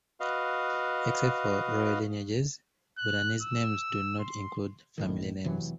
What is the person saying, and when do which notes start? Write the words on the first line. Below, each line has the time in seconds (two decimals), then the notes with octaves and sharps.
Except for royal lineages, Bhutanese names do not include a family name.
0.20 F#4 B4 D#5 F5
2.98 F#6
3.42 E6
4.19 C6
4.98 A#1 A2 D#3
5.45 F1 C3 E3 F#3